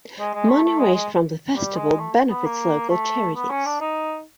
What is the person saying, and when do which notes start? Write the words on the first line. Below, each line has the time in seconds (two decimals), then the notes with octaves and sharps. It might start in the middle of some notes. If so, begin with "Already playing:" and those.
Money raised from the festival benefits local charities.
0.19 G#3
0.34 G#3
0.49 A3
0.64 A3
0.79 G#3
0.94 G#3
1.55 G3
1.77 G#3
1.99 A3
2.29 B3
2.45 A#3
2.89 A3
3.35 B3
3.50 C#4
3.65 D4
3.81 D#4